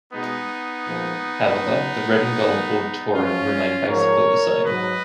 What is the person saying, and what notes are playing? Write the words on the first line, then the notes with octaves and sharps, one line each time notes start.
However, the red and gold auditorium remained basically the same.
B2 G#3 B3 D#4
A#2 F3 G#3
F#2 C#3 F#3
G#2 D#3 G#3
F#2 F3 G#3 C#4 F4
G#2 F3 G#3 A#4 C#5
G#2 F#3 B4 D#5